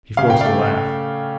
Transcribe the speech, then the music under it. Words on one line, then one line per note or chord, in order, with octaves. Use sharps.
He forced a laugh.
C#3 F5
G5
A3 D5 F5